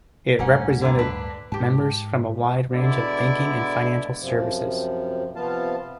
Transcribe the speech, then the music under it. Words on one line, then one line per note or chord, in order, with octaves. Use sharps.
It represented members from a wide range of banking and financial services.
D1 G2 A3 A#3 C#4 F#5
D3 G3 A#3
D4 B4
G#2 G4 A5
B2 D3 G#3 E4 D5
F#2 C3 F3
C3 F3 B3 F4 F5 A5